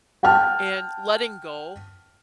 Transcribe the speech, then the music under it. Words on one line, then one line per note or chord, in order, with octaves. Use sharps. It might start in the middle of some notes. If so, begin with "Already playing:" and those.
and letting go
F#5 G5 A5 F6